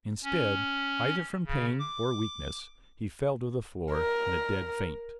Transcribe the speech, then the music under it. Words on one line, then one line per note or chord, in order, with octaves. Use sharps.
Instead, either from pain or weakness, he fell to the floor in a dead faint.
C#4
C#3
D6
A#4